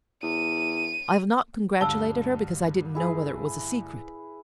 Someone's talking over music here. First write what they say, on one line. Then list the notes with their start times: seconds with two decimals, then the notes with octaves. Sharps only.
I have not congratulated her, because I didn't know whether it was a secret.
0.23 E2 D#7
1.81 D2 G2 F5 A5 E6 G7
2.95 E4 G#4 B4